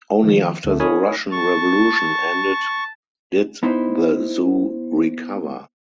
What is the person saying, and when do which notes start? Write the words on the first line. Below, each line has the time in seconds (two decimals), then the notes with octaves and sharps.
Only after the Russian Revolution ended did the zoo recover.
0.23 D#3 F3
0.64 D2 D3 A3
0.80 D#4 A#4 C#5 G#5 B5 D#6
1.32 A5 C#6
3.63 B3 D#4 E4 C5